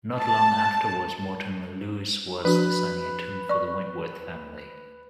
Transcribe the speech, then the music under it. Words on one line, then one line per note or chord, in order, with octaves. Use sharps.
Not long afterwards, Mortimer Lewis was designing a tomb for the Wentworth family.
A5
F3 D4 F#4 B4
D5 C#6